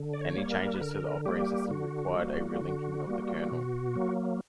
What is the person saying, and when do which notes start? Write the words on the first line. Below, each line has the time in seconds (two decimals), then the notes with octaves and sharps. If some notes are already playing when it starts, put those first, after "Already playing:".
Any change to the operating system required a re-linking of the kernel.
Already playing: D3
0.13 D5
0.21 C#5
0.36 G3 A#3
0.52 A#4
0.74 B4
0.81 D3 A#4
1.25 G3 A#3 G4
1.71 D3 F#4
2.16 G3 A#3
2.61 D3
3.06 G3 A#3
3.52 B2
3.95 F#3 A#3